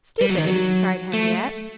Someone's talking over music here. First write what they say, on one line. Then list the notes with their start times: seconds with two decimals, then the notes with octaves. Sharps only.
"Stupid!" cried Henriette.
0.21 G3
0.29 F#3
0.38 D#3
0.47 F#3
1.14 A3